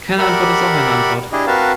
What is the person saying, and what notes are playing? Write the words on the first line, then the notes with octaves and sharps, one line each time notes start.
Keine Antwort ist auch eine Antwort.
G4 A#4 D5 E5 F#5 B5
D4 E4 G4 G#4 D#5
C4 F#4 A#4 B4 F5 A5